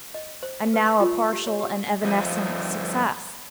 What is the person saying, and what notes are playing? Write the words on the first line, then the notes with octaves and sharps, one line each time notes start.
And now a partial and evanescent success.
D#5
C5
B4
C#6
F4
G4
C#5
G4
G2 F3 A3 D#5